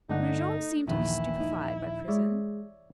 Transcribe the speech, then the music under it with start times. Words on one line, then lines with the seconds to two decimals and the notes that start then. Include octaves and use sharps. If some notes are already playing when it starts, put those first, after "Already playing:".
Brujon seemed to be stupefied by prison.
0.09 G1 A3 D4 D#4 F#5
0.88 A#1 D#2 D#3 E3 B3 E4
1.40 D#4
2.08 G#3 C#5 D5 E5